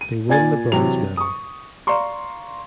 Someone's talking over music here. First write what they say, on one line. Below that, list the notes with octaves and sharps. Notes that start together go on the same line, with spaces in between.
They won the bronze medal.
D#7
A#2 D5 G#5 G#6 A6
C3 E3 F#3 F7
C#6 D#6
D5 F5 A#5 C6 C#6